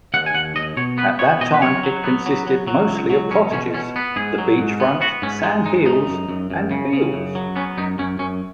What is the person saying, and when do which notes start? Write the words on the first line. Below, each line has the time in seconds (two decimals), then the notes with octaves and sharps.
At that time it consisted mostly of cottages, the beach front, sand-hills and fields.
0.14 D#2 F#5
0.26 G#5
0.34 D#2 F#5
0.56 D#2 D#5
0.77 B2 C#5
0.98 B3 B4
1.19 B3 C#5
1.41 B2 D#5
1.54 B4
1.61 F#3 C#5
1.83 F#3
2.05 B3
2.26 F#3
2.47 F#3
2.67 F#3
2.89 C#2
3.10 F#3
3.31 B2 C#4
3.52 B2 C#4
3.74 B2 C#4
3.96 B3
4.16 G#2 G#4
4.38 F#3
4.59 G#2
4.80 B3
5.01 B3 F#4
5.22 G#2 C#4
5.43 G#3 D#4
5.65 G#2 D#4
5.86 C#3 D#4
6.07 F#2
6.29 F#2
6.50 F#2
6.71 C#3
6.93 C#3
7.13 F#2
7.35 F#3
7.56 B3 C#4
7.77 F#2 D#4
7.99 F#2 C#4
8.19 F#2 C#4